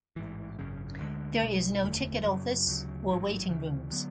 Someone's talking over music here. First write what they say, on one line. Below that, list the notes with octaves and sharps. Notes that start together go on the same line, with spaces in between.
There is no ticket office or waiting rooms.
A1 G#2 E3
G#1 F#2 C#3
D2 D3 G#3
B1 B2 G#3
F#1 E2 D3 A3
F#2 C#3 F#3
D2 C#3 F#3
A1 G#2 F#3
D2 C#3 E3
D3 F#3 B3